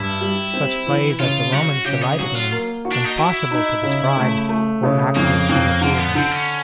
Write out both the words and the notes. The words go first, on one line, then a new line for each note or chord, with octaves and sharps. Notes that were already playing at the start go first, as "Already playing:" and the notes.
Such plays as the Romans delighted in, impossible to describe, were acted in the theatre.
Already playing: G2 E4
G3
C4
E3
C#3 F4
F#3 F#4
C#3 G4
G#4
F#3 F#4
F4
A#3
F#4
D4
D#4
E4 F#4
D#4
C#3
A3
A3
C#3
F2 A#3
F2 A#3
D3 A#3
B3
D3 C4
C#4